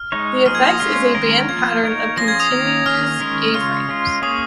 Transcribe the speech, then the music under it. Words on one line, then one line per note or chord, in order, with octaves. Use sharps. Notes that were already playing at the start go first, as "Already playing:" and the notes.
The effect is a band pattern of contiguous A-frames.
Already playing: F6
G#3 D#4 C#5
F3 A#3 D#4 G#4 F6
G#6
A#6
D#6
G#3 C#4 F4 F6
D#3 G#3 C#4 A#4
F3 A#3 F4 G#6
A#3 D#4 A#4 C#5
F3 C#4 F4 G#4 A#6
G#6
D#6
D#3 A#3 D#4 A#4
D#3 A#3 C#4 G#4 F6
D#3 G#3 C#4 A#4 C#5
C#3 G#3 F4 C#5 F6
G#3 C#4 F4
A#3 C#4 G#4 C#5 D#6